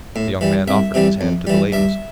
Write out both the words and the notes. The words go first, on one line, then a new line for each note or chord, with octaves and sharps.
The young man offered his hand to the ladies.
A2
E3 G3
C2 E5
C3 E3 G3
F2
E3 G3
G2 E5